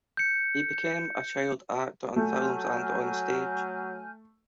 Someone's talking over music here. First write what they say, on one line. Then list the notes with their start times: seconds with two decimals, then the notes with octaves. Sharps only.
He became a child actor in films and onstage.
0.17 G6 C#7
2.16 F#3 A3 G#5 F6 G6